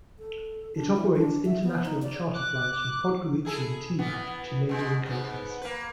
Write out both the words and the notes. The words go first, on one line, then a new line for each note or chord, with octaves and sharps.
It operates international charter flights from Podgorica and Tivat to neighbouring countries.
A4
D4
E3
D4
E5
B3
D#4
D5
D6 F#6
E4 G#4 A4
E3 B3
B2 G#3
G#2 B3
A#3 B4